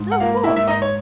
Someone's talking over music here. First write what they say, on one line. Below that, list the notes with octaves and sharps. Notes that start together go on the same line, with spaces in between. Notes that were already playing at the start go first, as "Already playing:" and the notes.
Oh, cool.
Already playing: G#2
F#5
A#3 F4 F5
E4 E5
G#2 E5
D#4 D#5
C#5